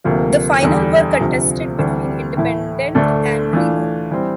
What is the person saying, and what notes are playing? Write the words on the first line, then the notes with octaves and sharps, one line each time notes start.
The final were contested between Independente and Remo.
D2 C3 F3 A#3
E2 D3 G3
D2 C3 F3
D2 C3 E3 G3 D4
A2 E3 A3 E4
D2 D3 A3 D4 A4
E3 A3 D4 F4
E3 G3 C4